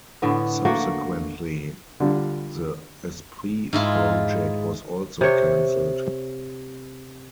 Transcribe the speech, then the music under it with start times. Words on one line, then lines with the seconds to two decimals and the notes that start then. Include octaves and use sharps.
Subsequently, the Esprit project was also cancelled.
0.22 A2 D3 B3
0.65 A3 A#3 F#4 F#5
2.00 D3 G3 F4
3.73 G#2 E4 F4
5.21 C3 C#5